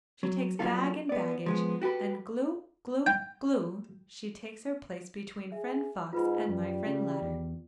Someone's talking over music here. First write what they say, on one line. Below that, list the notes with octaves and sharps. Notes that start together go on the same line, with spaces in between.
She takes bag and baggage, and glou, glou, glou, she takes her place between friend Fox and my friend Ladder.
F#3
F#3 G3 A#3 F4 A4
B3 D5
F3 G#3 B3
F#4 G4 A4 B4
G5
G#4 E5
G#2 F4 B4 B5
F#2 G3
C#3
E2